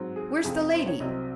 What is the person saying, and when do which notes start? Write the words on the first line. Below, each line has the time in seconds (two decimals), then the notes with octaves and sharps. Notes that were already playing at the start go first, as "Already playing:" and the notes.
Where's the lady?
Already playing: G#2 F#3 C4
0.16 G#4
0.44 F2 C3 F3 G#4
0.72 C5
0.86 C#5
1.00 C2 C3 F#3 C4 D#5